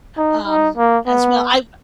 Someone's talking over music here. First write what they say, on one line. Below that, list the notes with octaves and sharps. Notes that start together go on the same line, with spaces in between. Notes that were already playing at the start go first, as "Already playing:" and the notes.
um, as well, I've
D#4
D#4
A#3
B3